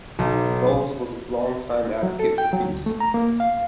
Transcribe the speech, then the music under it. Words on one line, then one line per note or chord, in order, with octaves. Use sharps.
Bowles was a long-time advocate for peace.
B1
F#3
A4
G5
F#3
D2
A3
A#5
A#3
F5